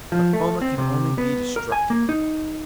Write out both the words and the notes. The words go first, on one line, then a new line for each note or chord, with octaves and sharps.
But Foma can only be destructive.
F3
A3
C4
C3
B3
A#4
G#5
A#3
D#4